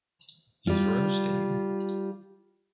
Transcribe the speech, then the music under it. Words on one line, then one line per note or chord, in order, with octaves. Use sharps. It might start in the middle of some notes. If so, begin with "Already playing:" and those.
He’s roasting.
G3 F4